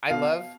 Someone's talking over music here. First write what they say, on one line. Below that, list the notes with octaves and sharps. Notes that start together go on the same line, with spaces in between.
I love
B2 F5